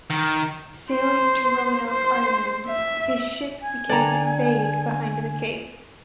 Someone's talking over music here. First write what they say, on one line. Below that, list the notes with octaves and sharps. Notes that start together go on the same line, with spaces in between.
Sailing to Roanoke Island, his ship became embayed behind the cape.
D#3
C5
C5
E5
G#5
D3 A4 D5 G5 A#5